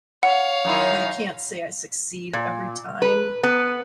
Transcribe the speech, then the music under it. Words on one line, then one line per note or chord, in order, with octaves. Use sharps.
I can't say I succeed every time.
C#5 F5 F#5
F#2 D#3 E4
A#2
B4
B3